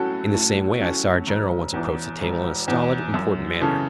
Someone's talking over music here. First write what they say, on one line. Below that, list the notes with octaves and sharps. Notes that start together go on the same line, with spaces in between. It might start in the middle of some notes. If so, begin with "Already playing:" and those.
In the same way, I saw our General once approach the table in a stolid, important manner.
Already playing: A2 F#3 C#4 F#4 A4
A2
F#3 C#4 F#4 A4
E1
E2 E3
E1
E2 E3
F#2
C#3 E3 C#4 A4